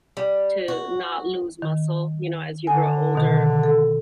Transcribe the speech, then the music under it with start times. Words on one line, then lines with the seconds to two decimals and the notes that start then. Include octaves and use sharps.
to not lose muscle, you know, as you grow older.
0.17 G3
0.68 F#4
1.62 D#3
2.67 D3 G#5
3.15 B2 D#3
3.63 A4